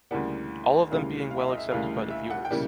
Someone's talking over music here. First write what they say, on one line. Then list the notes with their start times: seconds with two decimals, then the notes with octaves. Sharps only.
All of them being well accepted by the viewers.
0.11 D2 C#3 E3 G3 A#3 F#5
0.90 D2 C#3 E3 G3 A#3 F5
1.31 F5
1.39 E5
1.48 D#5
1.58 E5
1.71 D2 C#3 E3 G3 A#3 F5
2.10 E5
2.30 F#5
2.45 G5
2.51 C#3 E3 G3 A#3